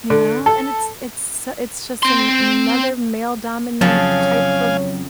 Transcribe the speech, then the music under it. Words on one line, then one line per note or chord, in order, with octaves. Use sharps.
you know? And it's it's it's just a another male dominant type of
D3
A4
C4 C6
F2 C#3 F#3 C#5 F5 G#5 A5